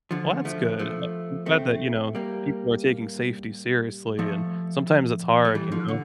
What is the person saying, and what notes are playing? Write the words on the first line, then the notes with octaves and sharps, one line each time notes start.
Well, that's good. uh, I'm glad that, you know, people are taking safety seriously and sometimes it's hard, you know?
D3 F3
F3 A3
F3 A3
A3 C4
G3 A#3
F3 A3
A3
E3 G3
D3 F3
D3